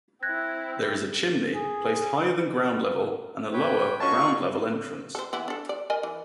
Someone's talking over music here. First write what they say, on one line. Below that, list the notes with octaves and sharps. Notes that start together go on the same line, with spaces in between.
There is a "chimney" placed higher than ground-level and a lower, ground-level, entrance.
C4 E4 F#6 G#6 A#6
G#4
B4 C#5 G5
C#4 F4 F#4 D#5 F5 A5 C#6 F#6
A4 C5
E3 B3 E4
D4 A4
D5
A#4 D#5 G#5
E3